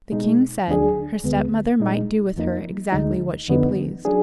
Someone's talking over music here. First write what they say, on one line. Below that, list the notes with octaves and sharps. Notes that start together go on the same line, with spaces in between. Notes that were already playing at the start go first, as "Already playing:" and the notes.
The king said, her stepmother might do with her exactly what she pleased.
B2 G#3 D#4
D2 D3 F#3 D4 G#4
D2 D3 G#3 B3
A#2 G#3 D#4
F2 F3 A#3 D#4
D2 D3 G#3 D#4
F2 D3 F3 B3 D#4
F#3 D4 G#4